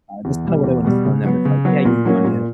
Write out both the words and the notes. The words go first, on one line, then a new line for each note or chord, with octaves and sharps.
uh, that's kind of what I wanna instill in them. It's, like, yeah, you wanna,
E2
B2 G3
E2
B2 G3
C#3
F#3 B3
C#3
F#3 B3
A#2
F#3 A#3 C#4
A#2